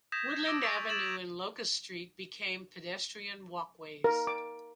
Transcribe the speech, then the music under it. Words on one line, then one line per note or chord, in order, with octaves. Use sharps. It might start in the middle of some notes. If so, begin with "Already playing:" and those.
Woodland Avenue and Locust Street became pedestrian walkways.
D#6 G6 G#6 A#6 B6 E7
D6 E6 A#6 D7 E7
C#6 E6 A6 D7 F7
D6 G#6 A6 E7 F#7
A#4
D6